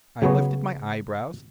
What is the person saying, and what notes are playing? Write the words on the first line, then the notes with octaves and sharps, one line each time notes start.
I lifted my eyebrows.
C#3 F#3 B3 C#5